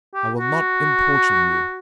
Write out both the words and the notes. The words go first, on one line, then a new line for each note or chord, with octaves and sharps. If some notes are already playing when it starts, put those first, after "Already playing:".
I will not importune you.
G4
F#4